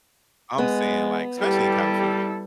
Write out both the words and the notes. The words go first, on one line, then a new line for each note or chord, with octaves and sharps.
I'm saying, like, especially in California,
G#3 B3
G3 E4 G4 A4